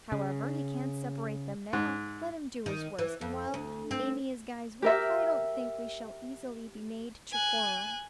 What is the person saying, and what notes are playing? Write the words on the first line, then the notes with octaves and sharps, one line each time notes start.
'However, he can't separate them now; let him do his worst, and while Amy is Guy's wife, I don't think we shall easily be made to quarrel.
C#3
G#2
D#3
E3
F2
D2
C4
G4 A#4 E5
G#5 F#6